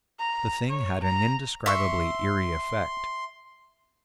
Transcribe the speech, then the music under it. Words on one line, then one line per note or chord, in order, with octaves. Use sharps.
The thing had an indescribably eery effect.
A#5
C#5
A#5
E5 C6 C#6